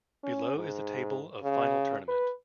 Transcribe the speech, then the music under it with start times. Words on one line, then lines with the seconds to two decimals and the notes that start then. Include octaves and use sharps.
Below is the table of Final tournament.
0.23 C#4
0.56 G#2
1.44 C#3
2.08 B4